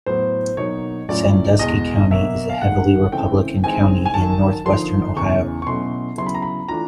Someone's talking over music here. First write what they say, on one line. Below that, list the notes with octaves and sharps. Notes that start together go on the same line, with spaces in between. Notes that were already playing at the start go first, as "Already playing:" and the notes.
Sandusky County is a heavily Republican County in Northwestern Ohio.
A2 F#3 B3 C5
B2 F#3 A#3 D#4 C#5
A2 F#3 A3 C#4 F4 D5
E2 B2 G#3 D#5
B2 F#3 A#3 E5
F5
G2 D#3 G#3 F#5
C#3 E3 A3 C4 G5
E3 G#3 C4 D#4 G#5
G#5
F#2 D#3 F#3 A5
D3 F3 A#3 D#4 C6
E2 C#3 E3 C#6
C#6
B2 F#3 A3 C#4 E4 C6
C#3 F#3 B3 E4 C6
B5
A#5
B5
E3 A3 D4 F4 A#5